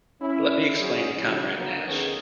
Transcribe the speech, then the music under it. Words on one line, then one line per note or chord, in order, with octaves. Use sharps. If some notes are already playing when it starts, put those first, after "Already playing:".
Let me explain to Comrade Nash.
C#4 E4
F#3 C#4 G#4
C#3 F3 F#3 E4 F#4 G4
D3 F#3 A#3 B3 D#4
D#2 D#3 B3 C#4 G#4 A4